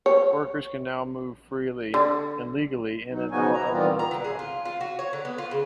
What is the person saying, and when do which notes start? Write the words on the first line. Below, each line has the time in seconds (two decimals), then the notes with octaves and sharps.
Workers can now move freely and legally in and out of the hotel.
0.06 C#5
1.94 D3
3.10 F#3 D#4
3.31 C#3 F3 B3 D#4 F#4 G#5
3.52 E4 A#5
3.70 D#3 E3 G3 B3 C4 F4
3.99 A#5
4.11 D3
4.24 G#4
4.39 F4
4.65 F4
4.81 F#4
4.99 C#5
5.13 D3
5.25 B3
5.38 F4
5.51 C#3